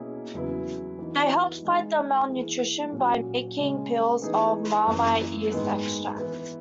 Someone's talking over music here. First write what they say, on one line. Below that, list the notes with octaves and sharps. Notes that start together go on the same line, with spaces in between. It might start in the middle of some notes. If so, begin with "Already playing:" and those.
They helped fight the malnutrition by making pills of Marmite yeast extract.
Already playing: B2 A#3 C#4 E4 G#4
E2 C#3 F#3 B3 E4
E3 B3 D#4 F#4
D#3 G#3 D#4
E3 A#3 E4 G#4
A#2 F#3 C#4 F#4
C#3 G#3 C#4
E3 B3 D#4 G#4
F#2 E3 A#3
G#2 D#3 G#3 B3
E3 B3 E4